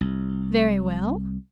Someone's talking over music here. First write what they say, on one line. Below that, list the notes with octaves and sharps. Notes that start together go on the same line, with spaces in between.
'Very well.
C2